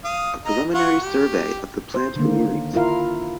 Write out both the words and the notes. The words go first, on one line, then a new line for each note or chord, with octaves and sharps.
A Preliminary Survey of the Plant Communities.
F5 D#6
D#5 A#5
F4 F#5 C#6
G4
C5
D3 D#3 A#3
E4 F4 A#4 F5